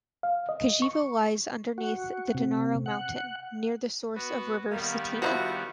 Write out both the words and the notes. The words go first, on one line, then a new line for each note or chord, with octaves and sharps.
Kijevo lies underneath the Dinara mountain, near the source of river Cetina.
F5
D#5
C#6
F#4
C3
F#5
B3 F#4 B4
D#3 G3 A#3 B3
F3 D#4 E4 F#4